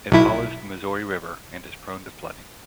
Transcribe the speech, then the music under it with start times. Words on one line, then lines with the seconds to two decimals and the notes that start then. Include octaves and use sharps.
It follows the Missouri River, and is prone to flooding.
0.12 B1 E4